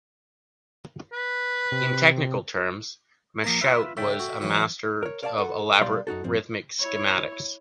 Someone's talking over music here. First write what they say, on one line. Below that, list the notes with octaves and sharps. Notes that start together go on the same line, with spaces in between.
In technical terms, Machaut was a master of elaborate rhythmic schematics.
B4
C3
F3 A#3 A#4 A5 D#6
F4 B4 E5
G#2 C#3 A4 E5 G5
F#4
E3 F#3
A#4 C#5
A#4 C#5 D5 F5 F#5 A5
A4 F#5
B1 G3 D#4 D5 F5 C6
F#2 D#4 F#4 A4
G2 F3 C4
E4 C#5